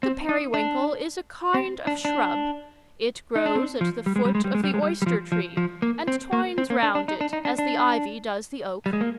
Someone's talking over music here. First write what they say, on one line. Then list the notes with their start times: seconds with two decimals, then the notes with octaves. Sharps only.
The periwinkle is a kind of shrub; it grows at the foot of the oyster-tree, and twines round it as the ivy does the oak.
0.03 C4
0.29 D#4
0.54 D4
1.54 C4
1.87 D4
2.05 D4
3.36 D#4
3.46 D4
3.55 C4
3.81 F3
4.06 G3
4.16 G#3
4.25 G3
4.35 G#3
4.44 G3
4.54 G#3
4.64 G3
4.74 G#3
4.82 G3
5.02 G3
5.06 F3
5.32 F3
5.57 F3
5.82 A#3
6.07 C4
6.33 A#3
6.58 C4
6.70 A#3
6.83 D4
6.95 D4
7.08 D#4
7.21 D4
7.33 D#4
7.45 D4
7.58 D4
8.86 G3
8.93 G#3
9.01 A#3